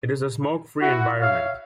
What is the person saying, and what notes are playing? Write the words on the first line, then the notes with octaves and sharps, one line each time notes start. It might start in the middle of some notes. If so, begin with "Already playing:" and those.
It is a smoke-free environment.
E4 F#4
C#5 E5 F5